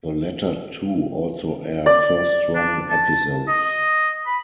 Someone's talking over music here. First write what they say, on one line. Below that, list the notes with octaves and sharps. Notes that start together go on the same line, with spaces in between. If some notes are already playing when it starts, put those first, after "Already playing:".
The latter two also air first run episodes.
D5
D4
A5
D#5
B5